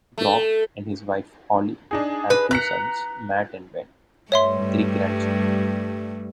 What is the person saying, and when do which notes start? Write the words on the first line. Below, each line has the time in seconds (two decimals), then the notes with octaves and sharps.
Grobe and his wife Holly have two sons, Matt and Ben, and three grandchildren.
0.18 A3
1.91 D4 D#4 G#4
2.30 B4
2.51 A#5 F#6 B6 C#7
4.32 G2 G3 A3 C#5 E5 C6